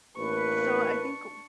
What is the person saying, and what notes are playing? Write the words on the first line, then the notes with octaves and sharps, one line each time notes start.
So I think w
A1 A#3 D4 B4 C#6